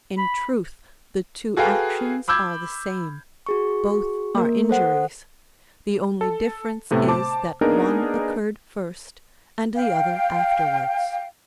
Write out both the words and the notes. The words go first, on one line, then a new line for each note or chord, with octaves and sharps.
In truth the two actions are the same: both are injuries; the only difference is that one occurred first, and the other afterward.
B5
F#4 G#4 A4 B4 F5 G5
B5 D6 E6 G6 G#6
F#4 G#4 C#6
A#3 A#4
A4 C5 F#5
A4
A2 C3 A3 B3
C5 A5 D6
A#3 B3 D4 D#4 G#4 A#4
F5 G5